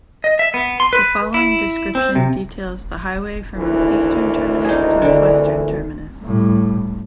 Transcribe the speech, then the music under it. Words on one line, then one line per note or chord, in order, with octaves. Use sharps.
The following description details the highway from its eastern terminus to its western terminus.
D#5
E5
B3
C6
B4
E4
C4
C3
G#1 D2 E3
D#4 G#4
D3
A2 G3